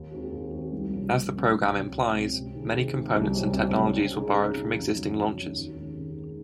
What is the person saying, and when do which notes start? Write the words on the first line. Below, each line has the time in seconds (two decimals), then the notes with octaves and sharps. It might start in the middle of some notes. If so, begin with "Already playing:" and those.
As the program implies, many components and technologies were borrowed from existing launchers.
Already playing: D#2
0.12 D#3 G#3 C4 F#4
0.32 D#2
0.52 D#3 G#3 C4 F#4
0.73 C2
0.93 C3 F3 A#3 C#4
1.13 C2
1.32 C3 F3 A#3 C#4
1.53 C#2
1.73 C3 F#3 C4
1.94 C#2
2.13 C3 F#3 C4
2.33 C3
2.54 D#3 G#3
2.74 C3
2.94 D#3 G#3
3.15 C2
3.34 C3 F#3 C4
3.54 C2
3.75 C3 F#3 C4
3.94 C#3
4.15 G#3 D#4 G#4
4.35 C#3
4.54 G#3 D#4 G#4
4.75 F2
4.95 D#3 F#3 C#4
5.15 F2
5.36 D#3 F#3 C#4
5.56 D#2
5.76 D#3 G#3
5.96 D#2
6.15 D#3 G#3